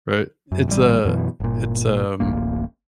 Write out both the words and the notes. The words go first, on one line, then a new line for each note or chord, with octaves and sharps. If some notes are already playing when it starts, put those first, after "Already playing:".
Right, it's a it's, um
F#2
A1 G3
F#2 B2 D#3 E3
G1 A#2
D1 A1 A#3